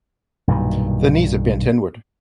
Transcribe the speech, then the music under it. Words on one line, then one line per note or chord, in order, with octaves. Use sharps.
The knees are bent inward.
B1 G2 A#2 D#3